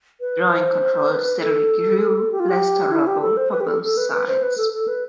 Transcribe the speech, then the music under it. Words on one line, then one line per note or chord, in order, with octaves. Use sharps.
Joint control steadily grew less tolerable for both sides.
B4
C5
B4
A4
G4
F4
G4
E4
G4
A4
C5
B4
G4
A4
A4
B4
B4
C5
B4
A4
A4
B4